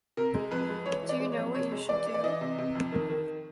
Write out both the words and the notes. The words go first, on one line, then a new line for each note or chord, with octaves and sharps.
Do you know what you should do.
C3 A#4
G#3
F2 B4
G#3
E3 C#5
E3
D5
G#3
C#5
F2
C3 C#5
G#3
E3 D5
E3
D5
E3 D#5
C3
C3
F2
D#3
D#3